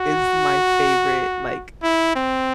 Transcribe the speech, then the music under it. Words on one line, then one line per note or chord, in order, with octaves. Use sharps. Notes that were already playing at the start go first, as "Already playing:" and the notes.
is my favorite, like,
Already playing: F#4
E4
C4